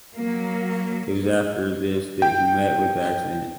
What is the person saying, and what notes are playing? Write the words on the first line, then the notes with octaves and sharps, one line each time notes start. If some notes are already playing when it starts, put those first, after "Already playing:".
It was after this that he met with the accident.
F#3 A#3
G5